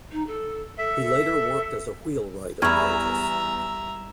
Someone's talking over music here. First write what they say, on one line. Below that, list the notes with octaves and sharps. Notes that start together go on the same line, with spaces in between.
He later worked as a wheelwright apprentice.
D#4
A4
A4 E5
E2 G3 E4 E5 A#5 C#6 F6 G#6